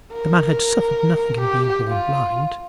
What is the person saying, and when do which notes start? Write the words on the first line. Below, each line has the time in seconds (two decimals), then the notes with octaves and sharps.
The man had suffered nothing in being born blind.
0.13 A#4
1.41 G4
1.88 F4